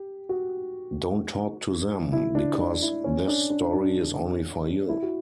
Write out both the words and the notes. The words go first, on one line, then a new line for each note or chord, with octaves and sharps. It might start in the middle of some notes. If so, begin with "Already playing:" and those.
Don't talk to them, because this story is only for you.
Already playing: G4
F#4
E4
D4
D4
E4
C#4
D4
D4
D4
E4
F#4